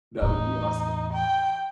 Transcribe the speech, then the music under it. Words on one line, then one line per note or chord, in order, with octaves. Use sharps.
That would be awesome.
E2 A2 D#4
G5